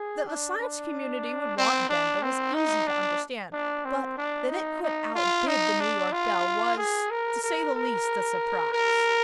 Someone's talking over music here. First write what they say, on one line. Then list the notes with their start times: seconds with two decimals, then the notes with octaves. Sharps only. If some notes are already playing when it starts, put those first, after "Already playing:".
That the Science Community would want Benda was easy to understand; but, that it could outbid the New York Bell, was, to say the least, a surprise.
Already playing: G#4
0.27 D4
0.59 D4
1.57 C4
1.89 D4
2.22 C4
2.54 D#4
2.87 D4
3.53 D4
3.85 C4
4.17 D4
4.49 D#4
4.82 D#4
5.15 F4
5.47 D#4
5.80 D4
6.12 F4
6.77 G#4
7.10 A#4
7.43 A#4
7.75 A#4
8.72 A#4